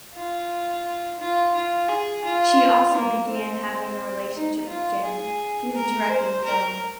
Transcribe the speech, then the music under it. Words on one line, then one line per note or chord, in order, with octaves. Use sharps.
She also began having a relationship with Jenny, who was directing the film.
F4
F4
F4
G#4
F4
A#3
C4
D#4
F4
G#4
A#4
C5
A#4